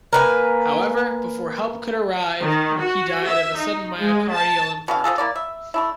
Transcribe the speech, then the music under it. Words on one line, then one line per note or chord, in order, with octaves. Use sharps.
However, before help could arrive, he died of a sudden myocardial infarct.
A#3 B4 G#5
D#3
F#4
E5
D#4
G#3
A5
B2 E3 F5
F3 G#3 G#4 A4
A#3 E4 D5
E5
A3 D4 E4